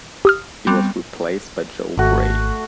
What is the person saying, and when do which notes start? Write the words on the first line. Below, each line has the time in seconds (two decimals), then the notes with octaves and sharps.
He was replaced by Joel Grey.
0.25 G4 D#6 F6
0.67 G3 B3 C4
1.98 G#1 A3 F#4